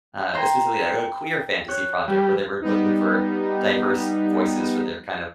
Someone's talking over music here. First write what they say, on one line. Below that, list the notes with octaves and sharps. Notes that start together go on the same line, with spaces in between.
uh, especially, like, a queer fantasy project where they were looking for diverse voices for their kind of
G5 A#5 C6
C#5 F#6 G6
G3
G3 B3 D#4